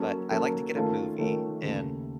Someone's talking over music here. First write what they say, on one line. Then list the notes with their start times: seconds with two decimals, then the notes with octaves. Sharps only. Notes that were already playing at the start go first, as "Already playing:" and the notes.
but I like to get a movie and,
Already playing: F#3 A#3 C#4 A4
0.31 F#3 A#3 C#4 A4
0.75 D#3 A3 C#4 F4 A4
1.18 D#3 A3 C#4 F4 A4
1.62 D#2 C#3 A3